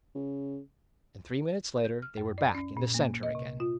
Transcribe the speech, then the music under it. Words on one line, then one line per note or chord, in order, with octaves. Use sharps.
And three minutes later they were back in the centre again.
C#3
G6
F6
F#2
D5
C#4
A#2
A#3
D#5
C3
F4